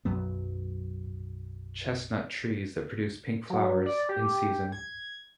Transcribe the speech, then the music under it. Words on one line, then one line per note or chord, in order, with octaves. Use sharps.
Chestnut trees that produce pink flowers, in season.
B1 F#2 F#3 B3
F#3
D5
G4
G#6